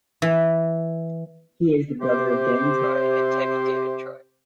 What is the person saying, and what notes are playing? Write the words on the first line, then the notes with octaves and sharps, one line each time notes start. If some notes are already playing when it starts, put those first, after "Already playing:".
He is the brother of Dan Troy and Tevi David Troy.
E3
C3 G4 C5